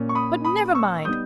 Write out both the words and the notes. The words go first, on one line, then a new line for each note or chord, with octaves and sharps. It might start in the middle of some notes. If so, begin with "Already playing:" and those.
But never mind.
Already playing: A#2 A#3 C#4
C#6
B5 D#6
B5 D#6
C#6 E6
G3 B3 D#4 D#6 G6